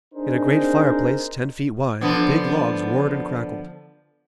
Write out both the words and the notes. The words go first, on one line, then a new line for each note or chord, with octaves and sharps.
In a great fireplace ten feet wide big logs roared and crackled.
C4 D4 D#4 G#4 A#4 C5
D3 F3 B3